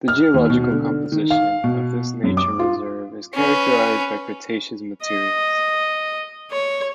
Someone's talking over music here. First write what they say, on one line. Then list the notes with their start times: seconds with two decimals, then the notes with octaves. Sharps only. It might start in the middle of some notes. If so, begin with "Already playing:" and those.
The geological composition of this Nature Reserve is characterized by Cretaceous materials.
0.08 F6
0.34 D#2
0.50 B2
0.72 D3
1.12 D#3
1.31 F5
1.64 B2
2.24 F#2
2.37 D6
2.59 F4
3.35 C#4 B4
5.04 D#5
6.51 C#5